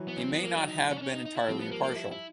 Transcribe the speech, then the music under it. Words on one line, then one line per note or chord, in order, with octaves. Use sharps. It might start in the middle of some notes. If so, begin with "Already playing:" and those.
He may have not been entirely impartial.
Already playing: E3 F#3
B3
C#4
C4
B3
A#3
D4
D#4
C#4
D4
C#4
D#4
D#4
E4
F3 G3 C4
B3
A#3
A#3
E4
E4